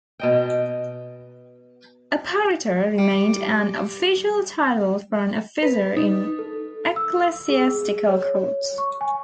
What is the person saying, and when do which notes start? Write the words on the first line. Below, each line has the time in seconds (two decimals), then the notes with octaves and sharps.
Apparitor remained an official title for an officer in ecclesiastical courts.
0.20 B2 D#5 G5
2.98 G3
5.62 B4
5.97 D#4
6.39 A4
6.96 E6
7.27 E6
7.50 G#4
8.08 C#5
8.78 C#6
9.01 G#5